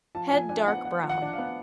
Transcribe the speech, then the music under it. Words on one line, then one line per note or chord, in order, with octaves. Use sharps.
Head dark brown.
F3 A5
F3 G#5
D4 G#5
B3 F#5
F3 F#5
F3
F#5
D4
F5
B3